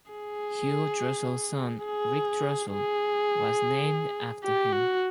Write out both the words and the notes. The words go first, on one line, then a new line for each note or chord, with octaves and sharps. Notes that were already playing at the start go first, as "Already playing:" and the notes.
Hugo Throssell's son Ric Throssell was named after him.
G#4
G#4
G#4
G4
F#4